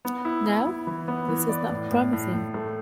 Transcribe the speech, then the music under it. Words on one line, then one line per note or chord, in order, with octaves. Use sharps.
Now, this is not promising.
B3
E4
E4
E4
E3
B3
E3
D5
A2
A2
A2
A2
A3